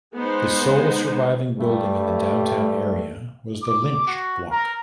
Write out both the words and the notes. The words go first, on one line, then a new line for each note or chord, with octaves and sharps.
The sole surviving building in the downtown area was the Lynch block.
G#3 B3 D#4 C5
G2 G3 A3
D6
F#4
A#4